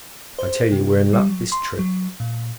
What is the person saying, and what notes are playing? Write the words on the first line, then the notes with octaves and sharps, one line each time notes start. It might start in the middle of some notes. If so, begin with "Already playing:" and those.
I tell you, we're in luck this trip.
C5
C3
G3
F#3
C6
F#3
A#2